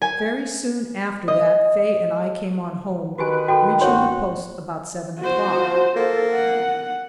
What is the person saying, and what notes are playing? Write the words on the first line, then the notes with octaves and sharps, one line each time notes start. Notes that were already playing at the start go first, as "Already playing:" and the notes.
Very soon after that Faye and I came on home, reaching the post about seven o'clock.
G#5
D#5
D#3 F#4 G4 B4 G#5
F#4 A4 G5
A1 D2 F#4 A#4 C#5 C6
F#4 C5
F3
A#3 A4
F#5